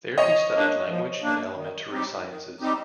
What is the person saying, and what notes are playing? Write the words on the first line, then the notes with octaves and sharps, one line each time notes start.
There he studied language and elementary sciences.
F3 C#5 D#5
A#3 D4
F3
A#3 D4
D#3
G3 C4 D#4 G4
D#3
G3 C4 D#4 G4